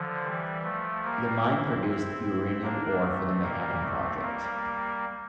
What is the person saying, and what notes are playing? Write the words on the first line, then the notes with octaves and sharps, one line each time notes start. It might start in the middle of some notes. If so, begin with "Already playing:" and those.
The mine produced uranium ore for the Manhattan Project.
Already playing: D3 F3
E3 G3
F3 A3
G3 A#3
C4 E4
C4 E4
C4 E4
A#3 D4
A3 C4
G3 A#3
A3 C4
G3 A#3